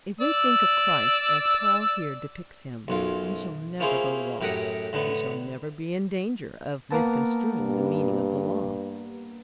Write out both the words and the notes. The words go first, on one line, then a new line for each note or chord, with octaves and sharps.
If we think of Christ as Paul here depicts Him, we shall never go wrong. We shall never be in danger of misconstruing the meaning of the Law.
D5 E6
B1 F#2 F4
A#3 C#4 E4 F4 G#4 C5
F#2 A2 G4 A#4 F#5 D#6
A2 D3 B3
A#3 B3 A5
G2